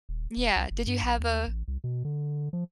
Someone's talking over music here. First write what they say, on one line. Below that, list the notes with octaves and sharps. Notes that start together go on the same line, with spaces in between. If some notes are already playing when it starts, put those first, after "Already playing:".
yeah. Did you have a
D#1
E1
C2
F#1
G2
A#1
D#2
A1
C2
B2
D3
F3